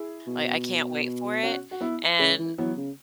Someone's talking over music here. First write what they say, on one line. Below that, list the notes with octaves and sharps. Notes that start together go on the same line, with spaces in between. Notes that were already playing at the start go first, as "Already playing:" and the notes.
I I can't wait for it, and
Already playing: E4 G#4
B2
C#4 F#4
F#4
B3 E4
C#3 G#3 C#4
E3
E3 F#3 B3
C#3